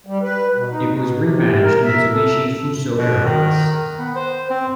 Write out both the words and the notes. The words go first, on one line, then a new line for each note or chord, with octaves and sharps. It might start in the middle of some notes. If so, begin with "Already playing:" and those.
It was a rebadged Mitsubishi Fuso Aero Bus.
G3
B4
B2
D#4
B2
C3
A#4
E5
A4
B2
D#3
B3
C5
C4